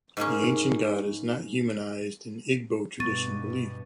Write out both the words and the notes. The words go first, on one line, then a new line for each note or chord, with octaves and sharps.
The ancient God is not humanized in Igbo tradition belief.
G#2 G#3 A#3 C#4
G2 B2 B3 C#6 A6 D#7